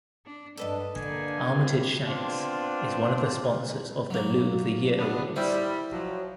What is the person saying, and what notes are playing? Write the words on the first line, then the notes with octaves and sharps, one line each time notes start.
Armitage Shanks is one of the sponsors of the Loo of the Year Awards.
D4
G2 D4 A4 B4 D#5
D3 A#3 D4 G#5
F3 G3 A#3 C4
B3 C4 D4 F4
F#3 A#3
B3 D4
G3 E4 C5
F3 F#3